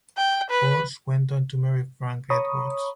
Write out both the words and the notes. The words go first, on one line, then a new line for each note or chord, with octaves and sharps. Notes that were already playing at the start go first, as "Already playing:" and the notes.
Walsh went on to marry Frank Edwards.
G5
B4
C#5 A#5 B5 C#6 D#6